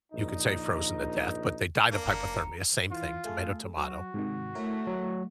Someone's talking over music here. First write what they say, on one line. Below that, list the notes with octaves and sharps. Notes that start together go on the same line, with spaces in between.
You could say frozen to death, but they died of hypothermia, same thing, tomato, tomato.
A#1 D#4
A#3 D4 A#4
F#1 A#5 C#7
E3 F4
A3 G#4 A4
F#3 F#4
G#2 C3 D#3
A3 E4 A#4 C#5
F#3